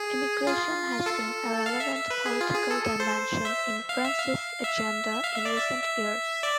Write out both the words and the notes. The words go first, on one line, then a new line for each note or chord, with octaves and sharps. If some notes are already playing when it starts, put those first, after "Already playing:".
Immigration has been a relevant political dimension in France's agenda in recent years.
Already playing: G#4
F4
A4
F5
E5
E5
B4
G#4
F4
G#4
A4
A4
C5
E5
F5
E5
F5
E5
F5
E5
D5
E5
E5
D5